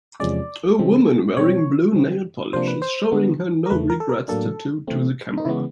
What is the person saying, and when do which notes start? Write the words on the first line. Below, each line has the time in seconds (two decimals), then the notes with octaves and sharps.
A woman wearing blue nail polish is showing her no regrets tattoo to the camera.
0.20 E2 C3 F3 G#3 C#4 D5
0.79 C#3 F3 G#3 C4
1.37 B2 G3 C4 C#5
1.95 D3 G3 C4
2.53 C3 F3 A#3 D4 C5
2.67 B4
2.82 C5
3.12 D3 G3 B3 D4
3.66 A#4
3.70 E2 C#3 E3 A3 B4
3.90 A#4
4.00 A4
4.09 A#4
4.28 A2 F#3 A#3 D4 A4
4.87 C3 E3 A3 C4
5.37 D#4
5.45 C#3 E3 G#3 B3 E4